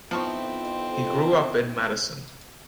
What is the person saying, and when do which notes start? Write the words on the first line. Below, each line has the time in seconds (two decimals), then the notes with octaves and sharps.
He grew up in Madison.
0.11 F2 F3 B3 C4 D#4 E4 A5 C#6